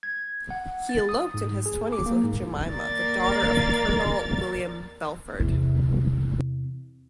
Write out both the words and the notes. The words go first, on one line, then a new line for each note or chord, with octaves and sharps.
He eloped in his twenties with Jemima, the daughter of Colonel William Belford.
G#6
F#5
A6
D#6
G#2
G#4
D6
A#3
G#2
D#2 A#3 A#4 D5 A6
E2 C3